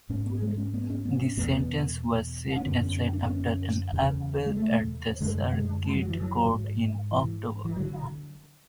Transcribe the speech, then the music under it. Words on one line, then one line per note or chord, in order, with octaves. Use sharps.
This sentence was set aside after an appeal at the circuit court in October.
G#2 C#4
B3
G#3
C#4
B3
C#4
B3
C#4
E2 B2 B3
C#4
F#2 D3 B3
C#4
C#4
D4
B3
C#4
E2 C#3
G#3
A3
F#2 D3 G#3
G#3
G#3
F#3
E3
F#3
G#2
E3
E3
D3 F#3